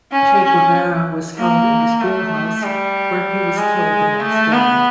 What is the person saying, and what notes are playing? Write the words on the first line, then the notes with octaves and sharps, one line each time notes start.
Che Guevara was held in the schoolhouse, where he was killed the next day.
C#4
C#4
A#3
A3
G3
G#3
A3
B3